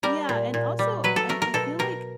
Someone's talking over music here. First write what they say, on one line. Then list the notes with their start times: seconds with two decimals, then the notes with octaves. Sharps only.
Yeah, and also I I feel like,
0.03 G3 A#4
0.29 A#2
0.54 A#2
0.79 G3
1.04 F#3 B4
1.16 A4
1.29 A3 A#4
1.42 A#4
1.54 B2 A4
1.79 B2 A#4